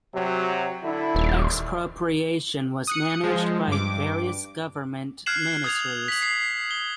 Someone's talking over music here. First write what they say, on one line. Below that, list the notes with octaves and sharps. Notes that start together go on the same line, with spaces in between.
Expropriation was managed by various government ministries.
C3 F#3
D3 E4
D#1
D#6 F#6 C#7
F3 G#3
G2 D6
F6 F#6 G#6 C7 E7 F#7
D#6 G#6 F7
B6 F#7
C7
G7